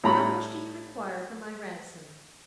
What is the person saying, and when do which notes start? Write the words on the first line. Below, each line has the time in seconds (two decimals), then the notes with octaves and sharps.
"How much do you require for my ransom?"
0.04 A2 G3 A#5 B5 C#6